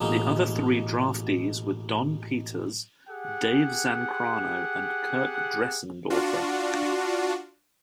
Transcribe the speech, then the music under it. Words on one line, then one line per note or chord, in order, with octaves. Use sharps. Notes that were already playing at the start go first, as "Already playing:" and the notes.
The other three draftees were Don Peters, Dave Zancanaro and Kirk Dressendorfer.
A1 B2 G#3 A#3 D#4
G4 G#4 F#5
D4 F4 F#4